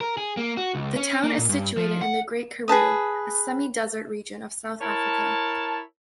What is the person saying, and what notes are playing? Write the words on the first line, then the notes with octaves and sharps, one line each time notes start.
The town is situated in the Great Karoo, a semi-desert region of South-Africa.
A#4
G#4
A#3
F#4
C#2
C#4
A#3
A#2
G2
F3
F#5
G#4 B4 A5 D#6
E4 A#4 C#5 A5